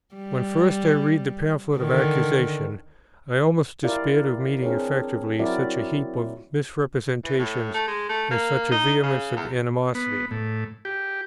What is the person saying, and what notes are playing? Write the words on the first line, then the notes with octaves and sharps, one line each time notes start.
When first I read the Pamphlet of Accusation, I almost despaired of meeting effectively such a heap of misrepresentations and such a vehemence of animosity.
G3
D3 D#3
E4 F4 G4 A#4 D5 F5
C4 D4 F4 G#4 A#4 C#5
F#3 C4 E4 F#4 A#4 D5
E3
A2
A3
G#3
A3
A#3
D#4
C#3
E2
B3
A2
G4